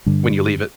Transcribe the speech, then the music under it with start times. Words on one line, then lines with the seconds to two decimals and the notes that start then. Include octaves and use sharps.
when you leave it
0.06 G2 D3 G3 D4